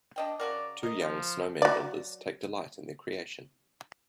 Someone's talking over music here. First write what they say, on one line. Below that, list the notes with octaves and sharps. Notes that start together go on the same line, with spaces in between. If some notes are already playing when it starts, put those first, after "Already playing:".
Two young Snowman builders take delight in their creation.
D4 D#5 G5
C#3 F#4 A#4 D5
A#4 D#5
F3
F#3 D5